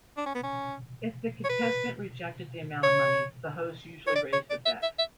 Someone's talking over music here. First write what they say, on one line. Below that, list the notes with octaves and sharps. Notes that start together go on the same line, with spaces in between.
If the contestant rejected the amount of money, the host usually raised the bet.
D4
C#4
B3
C#4
C#5
B4
C#5
C#5
D5
C#5
D5
E5
E5
E5